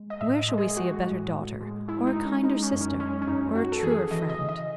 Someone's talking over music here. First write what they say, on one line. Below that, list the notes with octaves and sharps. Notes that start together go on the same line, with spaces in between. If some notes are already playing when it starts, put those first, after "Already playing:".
Where shall we see a better daughter, or a kinder sister, or a truer friend?
Already playing: G#3
D#5
A2 E5
D#5
G#3
G#4
G#3 F#4
A2
A2
G#3
G#3 E4
D#4
G#3
C#4
G#3 D#4
C#4
F#2
C#4
G#3 C#4
C#4
F#2 D#4
F#2 F#4
A4
E3 G#4
E3 D#5
D#5
C#3
D#5